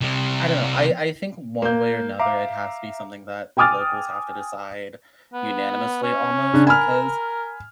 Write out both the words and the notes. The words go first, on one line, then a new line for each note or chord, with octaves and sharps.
I don't know. I I think one way or another it has to be something that the locals have to decide unanimously almost because
C3 G3
A#3 G6
E5 F5 A#5 D6
G5 G#5 D6 D#6 F6 A6
B3
C#4
C#3 D4
A#4 G#5 B5 F6